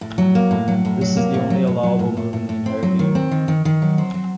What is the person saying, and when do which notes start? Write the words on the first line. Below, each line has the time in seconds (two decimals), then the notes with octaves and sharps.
This is the only allowable move in the entire game.
0.01 A2
0.18 F#3
0.35 A#3
0.51 A2
0.68 F#3
0.85 A2
1.01 F#3
1.17 A#3
1.34 A2
1.50 F#3
1.67 A2
1.83 F#3
1.99 A2
2.17 A2
2.33 A2
2.49 A2
2.66 C4
2.83 F#3
2.99 D#3
3.15 C4
3.31 D#3
3.48 D#3
3.65 D#3
3.82 F#3
3.98 C4
4.14 F#3